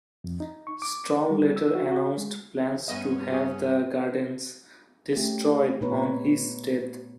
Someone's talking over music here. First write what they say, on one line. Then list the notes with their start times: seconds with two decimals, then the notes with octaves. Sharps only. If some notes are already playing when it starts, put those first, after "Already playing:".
Strong later announced plans to have the gardens "destroyed" on his death.
0.24 F2
0.40 D#4
0.67 C#6
0.82 D6
1.31 G3
1.56 E6
1.75 F#4
1.91 F#4
2.17 G#3
2.88 G2 B3 C#4 D#5 E5
3.31 F#4 G#4
5.16 A3 C#4 G4
5.81 A#2 B3 D#4 B4 C#5